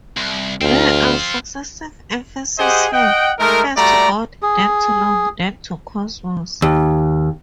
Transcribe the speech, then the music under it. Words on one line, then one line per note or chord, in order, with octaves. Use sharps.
There are successive emphases here, first to 'God', then to 'Law', then to 'Cosmos'.
C2
D2 C4 F4
G4 G#4 C5 D#5 F#5
D#5 F#5 G5
G#3 A3 D#4 A#4
G3 A3 F#4 D5 A#5
G#4
D#2